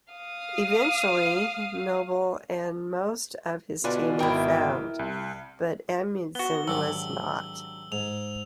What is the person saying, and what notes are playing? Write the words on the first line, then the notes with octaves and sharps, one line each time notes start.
Eventually Nobile and most of his team were found, but Amundsen was not.
F5 D#6
B2 D3 D4 F4 B4 D5 G#5
G#1 E4 A#4 G5
C2
B3 F#4 G7
G#1 F#3 D4 G4 E6
G#2 F7